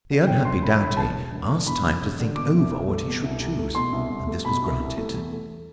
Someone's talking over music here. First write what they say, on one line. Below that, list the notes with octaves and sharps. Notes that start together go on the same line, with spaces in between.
The unhappy Doughty asked time to think over what he should choose, and this was granted.
D3
E2 G5
E1 C6
E1 B5
D3 B5
E2 A5
E1
E1
D3
E2 B5
E1
E1
D3
B2 D6
C2
C2
A3
B2
C2
C2
A3
B2 C6
C2
C2
A3
B2 B5
C2
C2
A3
E2
A3